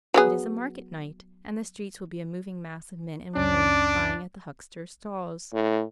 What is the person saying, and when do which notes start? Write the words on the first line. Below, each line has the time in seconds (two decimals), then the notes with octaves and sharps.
It is a market night, and the streets will be a moving mass of men and women buying at the hucksters' stalls.
0.14 F#3 B3 G#4
3.35 C#2 F#2 C#4 D4 D5
5.53 A2